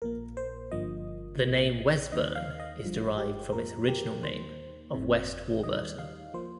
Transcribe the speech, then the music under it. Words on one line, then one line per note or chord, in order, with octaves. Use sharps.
The name Wesburn is derived from its original name of West Warburton.
A#1 A#2 A#3 A#4
C5
G1 G2 F3 A#3 D#5
A#1 A#2 A#3
D#2 D#3 A#3 D#5
F5
D#5
G1 G2 F3
G4
F2 F3 A#3 A#4
G4
D#2 D#3 A#3 C5
G1 F2 C3
D#2 D#3 G3 D#5
F5
F3 A#3 C5